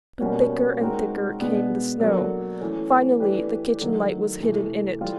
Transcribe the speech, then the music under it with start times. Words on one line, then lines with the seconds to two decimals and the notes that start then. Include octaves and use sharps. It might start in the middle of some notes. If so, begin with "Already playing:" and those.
But thicker and thicker came the snow; finally the kitchen light was hidden in it.
0.20 B2 G3 A#3 C#4 F#4
0.80 G#3 C4 D#4 F#4 A#4
1.40 B2 G#3 B3 D4
2.00 F#3 A#3 D4 F#4 A4
2.60 E3 A3 C#4
3.20 E3 A3 D4 G4 B4
3.80 D#3 F#3 A3
4.40 C3 E3 A3
5.00 E3 G3 C4 F4 A4